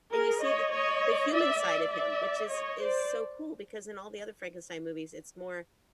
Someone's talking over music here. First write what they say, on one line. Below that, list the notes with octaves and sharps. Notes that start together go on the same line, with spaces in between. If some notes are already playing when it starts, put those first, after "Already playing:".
And you see the the human side of him, which is is so cool because in all the other Frankenstein movies, it's more
G#4 A#4
C#5 D#5
C#5 D#5
D5 E5
D5 E5
D5 E5
C#5 D#5
C5 D5